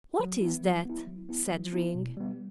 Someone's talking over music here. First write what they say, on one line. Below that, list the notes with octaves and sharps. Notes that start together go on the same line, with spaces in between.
'What is that?' said Ring.
F#3
B3 E4
F#3
B3 E4
F#3
B3 E4
F#3
B3 E4
B2
G3 B3